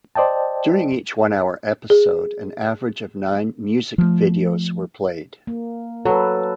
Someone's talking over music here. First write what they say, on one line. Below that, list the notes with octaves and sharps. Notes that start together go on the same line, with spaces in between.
During each one-hour episode, an average of nine music videos were played.
C5 D5 D#5 G5 A5
G#4
F3 A3
A#3
F#3 A4 B4